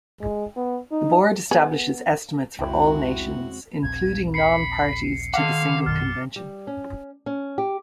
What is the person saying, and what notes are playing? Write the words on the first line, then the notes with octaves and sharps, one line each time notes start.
The Board establishes estimates for all nations, including non-Parties to the Single Convention.
G#3
B3
D#4
B3 G#4
C2 F2 C#3 G#3 C4 E4 F#4 G5
D#1 A#1 C4 G#6
B5 C7 C#7
D#3 F5 F#5 D6
A#1 F#2 B2 F6 A6
G3
C#4
C#4
G4